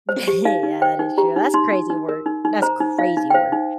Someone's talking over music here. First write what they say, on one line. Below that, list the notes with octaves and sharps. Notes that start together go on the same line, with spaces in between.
Yeah, that is true, that's crazy work. That's crazy work.
C5
G4
D#4 F5
D#4
C5 G5
D#4
G4 A#5
D#4
D#4 C6
D#4
D#4
A#4
D#4
D#4
C5 A#5
D#4
D#4 F5
D#4
G5
C5 F5
D#4